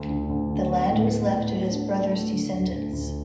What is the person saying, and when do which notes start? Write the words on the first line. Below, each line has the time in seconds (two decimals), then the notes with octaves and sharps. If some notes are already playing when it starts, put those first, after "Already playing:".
The land was left to his brother's descendants.
Already playing: D2
0.09 D3
0.29 D2
0.50 D3
0.70 B3
0.90 A2
1.10 B3
1.30 A2
1.51 A4
1.70 D4
1.91 A3
2.12 A3
2.32 D3
2.52 D2
2.72 D2
2.93 D2